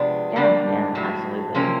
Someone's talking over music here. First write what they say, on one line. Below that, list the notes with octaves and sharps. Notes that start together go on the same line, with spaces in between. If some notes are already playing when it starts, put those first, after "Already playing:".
Yeah, yeah, absolutely.
Already playing: C3 F3 G#3 B3 D4
D3 G3 A#3 D4
A2 F#3 A3
C3 F3 A#3 C#4